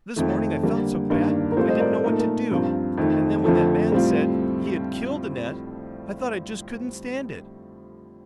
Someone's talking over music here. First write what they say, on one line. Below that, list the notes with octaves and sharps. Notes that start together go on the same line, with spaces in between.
This morning I felt so bad I didn't know what to do, and then when that man said--he had killed Annette--I thought I just could not stand it.
F2 D#3 A3
D3 G3 A#3
G2 D#3 A#3 D4
A#4
A2 G3 C4 F4 A4 C5
C5 D#5
A#4 D5
A4
A#2 A3 D#4 A#4
A4
A#4
G2 F3 C4 F4
F2 D#3 A3 D#4
F2 D3 F3 A3 A4
A2 G3 C4 F4